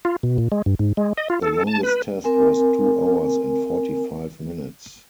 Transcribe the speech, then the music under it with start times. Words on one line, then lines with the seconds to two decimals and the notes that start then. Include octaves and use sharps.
The longest test was two hours and forty-five minutes.
0.05 F4
0.23 B2
0.38 A#2
0.52 G#3
0.66 G2
0.79 G#2
0.97 G#3
1.18 D#5
1.30 F4
1.42 A4
1.67 A5
1.83 B4
2.24 C4 A#4 G#5